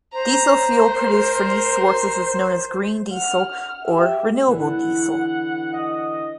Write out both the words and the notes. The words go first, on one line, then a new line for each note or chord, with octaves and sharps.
Diesel fuel produced from these sources is known as "green diesel" or "renewable diesel".
C5 A#5
A#4 C6
F#5 F6
G4 E5
D3 E3 F#5
D#5